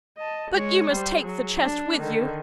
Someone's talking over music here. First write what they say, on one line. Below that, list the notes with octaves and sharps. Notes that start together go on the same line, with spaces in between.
'But you must take the chest with you.
D#5 A5
G#3 C#5
G3 C5
F#3 G#4
D4
D3 D#3